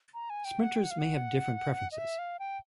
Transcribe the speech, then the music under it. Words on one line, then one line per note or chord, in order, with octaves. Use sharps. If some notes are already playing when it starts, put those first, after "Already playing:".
Sprinters may have different preferences.
A#5
G#5
G5
F#5
G5
F#5
F5
F#5
D#5
E5
F5
G5